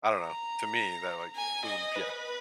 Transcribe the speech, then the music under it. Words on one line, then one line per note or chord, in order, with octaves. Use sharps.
I don't know, to me, that, like, was b yeah.
A#5
G#5
D#5
B4